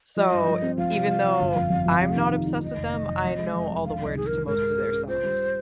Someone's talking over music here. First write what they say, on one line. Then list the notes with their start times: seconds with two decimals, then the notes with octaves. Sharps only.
so, even though I'm not obsessed with them, I know all the words to most of their songs.
0.16 F3 D#5
0.32 G2
0.47 F3
0.62 C4
0.78 F3 F5
0.93 C3
1.08 F3
1.24 F3
1.40 G1
1.55 F2
1.70 F2
1.86 F2
2.01 C3
2.16 D#3
2.32 D#4
2.47 D#3
2.62 D#3 D#5
2.77 F1
2.93 D#3
3.08 F2
3.24 F2
3.39 G#3
3.55 F2
3.70 F2
3.85 D#3 F5
4.01 C2
4.06 D#5
4.16 D#3 G#4
4.27 A#4
4.32 D#3
4.46 G#2 A#4
4.62 G#4
4.77 G#4
4.93 C#4
5.08 F4 C5
5.23 G3